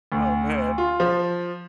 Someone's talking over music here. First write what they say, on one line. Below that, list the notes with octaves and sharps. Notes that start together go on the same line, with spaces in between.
Oh, man.
D2
F4
F3